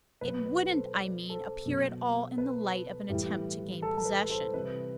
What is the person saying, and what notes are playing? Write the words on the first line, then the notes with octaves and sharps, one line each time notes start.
It wouldn't, I mean, appear at all in the light of an attempt to gain possession.
B2 F#3 B4
B4
A4 C5
B4 D5
A4 C5
B2 F#3
B4
A2 E3 G3
A4
A4
B4
A4 C5
C3 E3 G3 B4